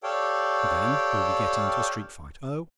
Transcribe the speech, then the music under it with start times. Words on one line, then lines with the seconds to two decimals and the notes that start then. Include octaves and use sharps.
And then you'll be getting into a street fight--oh!
0.03 G4 A4 C#5 D5 F5 G5